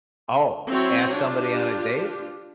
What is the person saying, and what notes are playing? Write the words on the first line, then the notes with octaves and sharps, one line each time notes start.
Oh, ask somebody on a date?
F#3 C4 E4 F#4 C#5
D4 F4 G4